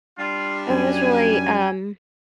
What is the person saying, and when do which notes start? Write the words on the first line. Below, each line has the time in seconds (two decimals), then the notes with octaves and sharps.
it was really, um,
0.18 G3 D4 F4
0.70 F#2 G#5